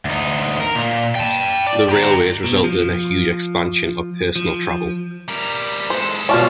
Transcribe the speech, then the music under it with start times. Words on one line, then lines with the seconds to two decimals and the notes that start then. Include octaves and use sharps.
The railways resulted in a huge expansion of personal travel.
0.05 D2 D#4
0.60 A#4
0.75 A#2
1.15 G5 A5
1.67 D5
1.89 G4 A#5
2.44 B2
2.64 F3
4.36 F3
5.28 G3 A#4
5.90 G#3 A4 C5
6.29 B2 F4 C#5 D5 A5